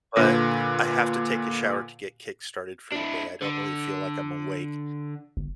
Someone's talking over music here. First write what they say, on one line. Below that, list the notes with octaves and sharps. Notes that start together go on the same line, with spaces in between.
but I have to take a shower to get kick started for the day, I don't really feel like I'm awake.
A#2 D3 B4 D6 A#6
D4 E4
D3
G1